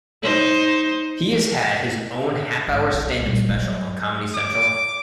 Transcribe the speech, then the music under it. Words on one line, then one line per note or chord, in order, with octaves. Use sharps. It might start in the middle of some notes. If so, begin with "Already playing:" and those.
He has had his own half-hour stand-up special on Comedy Central.
D#4 C5
G#1
C2
A#2 G3
F#3
D6